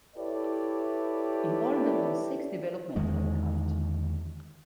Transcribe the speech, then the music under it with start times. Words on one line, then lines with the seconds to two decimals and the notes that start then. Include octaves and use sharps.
In all there were six "development" aircraft.
0.17 E4 G4 A4 B4 C#5 D5
2.96 E2 D3 D#3 G#3